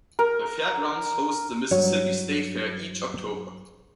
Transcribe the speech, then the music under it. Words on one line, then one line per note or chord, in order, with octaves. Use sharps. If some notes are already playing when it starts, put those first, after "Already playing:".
The Fairgrounds hosts the Mississippi State Fair each October.
A#4
G2 F#3 C#5